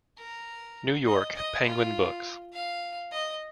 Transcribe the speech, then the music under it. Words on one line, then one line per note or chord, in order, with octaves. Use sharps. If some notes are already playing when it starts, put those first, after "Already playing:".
New York: Penguin Books.
A#4
D#5
D#5
F4
F5
D#5